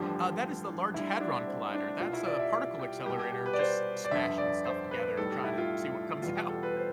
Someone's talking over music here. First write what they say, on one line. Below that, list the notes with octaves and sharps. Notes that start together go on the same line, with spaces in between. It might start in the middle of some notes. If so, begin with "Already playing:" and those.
Uh, that is the Large Hadron Collider. That's a particle accelerator just smashing stuff together, tryna see what comes out.
Already playing: A1 G2 D3 F3 G4
D2 D3 G3 E4
D4
C4
D4
C2 B2 G3 F4
E4
D5
E5
G4
C2 B2 G3 G4
G4
G4
B4
D5
C5
D5
G1 F2 D3 E5
D5
C5
B4
B1 A2 G3 A4
G4
E4
F4
E2 B2 G3 F4
G4
A4
B4
C5